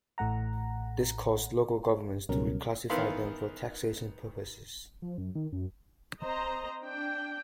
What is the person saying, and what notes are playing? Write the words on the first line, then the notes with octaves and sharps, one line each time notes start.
This caused local governments to reclassify them for taxation purposes.
A1 A2 A3 F#5 A#5
C#2 B2 F#3 G3 C#4 A#4
D#3 E3 B3 F5 B5 C6
F3
F#2
D#3
F#2
C4 C5 D#5 A#5
D4 G5